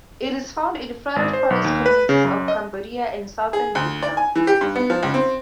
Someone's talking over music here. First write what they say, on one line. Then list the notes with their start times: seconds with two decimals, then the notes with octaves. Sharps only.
It is found in flooded forest communities of Cambodia and southern Vietnam.
1.16 G#1
1.33 C5
1.50 B1
1.64 D#2
1.86 B4
2.09 C#3
2.24 F#2
2.48 D#5
3.53 G#4
3.75 D2
4.02 D5
4.17 G#5
4.35 E3
4.47 G4
4.61 G2
4.76 B3
4.90 F3
5.03 C#2
5.14 C4